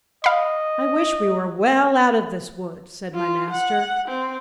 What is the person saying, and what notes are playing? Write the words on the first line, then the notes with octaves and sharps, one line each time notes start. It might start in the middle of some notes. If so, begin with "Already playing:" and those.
"I wish we were well out of this wood," said my master.
D#5 F5 B5
F4
F#5
C4